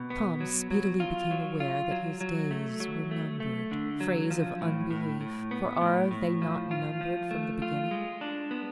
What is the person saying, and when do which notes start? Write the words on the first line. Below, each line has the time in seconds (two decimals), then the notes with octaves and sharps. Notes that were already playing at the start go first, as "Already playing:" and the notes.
Tom speedily became aware that his days were numbered--phrase of unbelief, for are they not numbered from the beginning?
Already playing: B2
0.10 B3
0.40 F#3
0.71 F#3
1.00 F4
1.31 F#3
1.60 F4
1.91 F#3
2.21 F#3
2.51 A3
2.80 F#3
3.11 A3
3.40 A3
3.71 D3
4.00 F#3
4.30 F3
4.61 A2
4.91 A2
5.21 A2
5.51 B3
5.81 A2
6.11 A2
6.42 F3
6.71 F4
7.01 F3
7.31 A3
7.62 F4
7.91 G#3
8.21 D4
8.51 B3